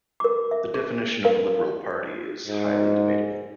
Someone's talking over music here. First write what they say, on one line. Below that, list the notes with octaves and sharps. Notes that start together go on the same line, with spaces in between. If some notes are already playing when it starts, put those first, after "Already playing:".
The definition of liberal party is highly debatable.
A#4 D6
E5
G#4
A#4 F5
G#2